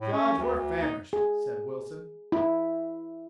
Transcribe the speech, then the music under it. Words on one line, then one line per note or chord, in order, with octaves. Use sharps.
"Judge, we're famished," said Wilson.
A2
C#4
D2
D2
D#4
G#4
E4